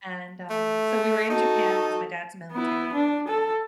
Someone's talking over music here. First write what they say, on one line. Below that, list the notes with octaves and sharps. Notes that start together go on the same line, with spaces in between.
and, uh, so, we were in Japan, 'cause my dad's military,
A3
D#4 F#4 A4
B3 E4
D4
A4